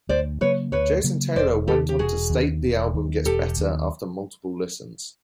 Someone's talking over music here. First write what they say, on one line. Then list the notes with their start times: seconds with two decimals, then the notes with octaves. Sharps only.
Jason Taylor went on to state the album gets better after multiple listens.
0.09 D2 C5 D5
0.41 C#3 F#3 A#3 B4 C#5
0.72 D2 B4 C#5
1.04 C#3 F#3 A#3
1.35 E1 C5 D5
1.67 D#2 D#3 G4 A4
1.89 G4
1.99 E1 F#4 G#4
2.30 D#2 D#3
2.62 E1
2.94 D#2 D#3
3.25 E1 G4 A4
3.57 D#2 D#3